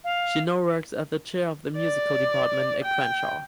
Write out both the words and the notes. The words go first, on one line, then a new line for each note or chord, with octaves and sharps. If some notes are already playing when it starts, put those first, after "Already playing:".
She now works as the Chair of the Musical Department at Crenshaw.
F5
D5
G5